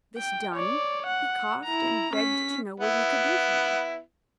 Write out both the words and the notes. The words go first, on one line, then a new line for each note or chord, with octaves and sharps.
This done, he coughed, and begged to know what he could do for me.
G5
C#5 D5
F#5
E4 A#5
C#4 B6
B3 E4